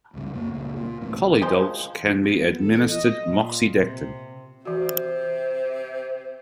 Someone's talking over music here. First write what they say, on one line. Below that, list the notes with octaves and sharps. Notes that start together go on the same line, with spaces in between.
Collie dogs can be administered moxidectin.
D#1 C#2 G2 C3
F#2 A#3
C#2 A#2
A#2
F1 E2 A2 C3
F3 G#3 C5
B3
A4
D#5
A#2
C3
C3 E3 F#4 C5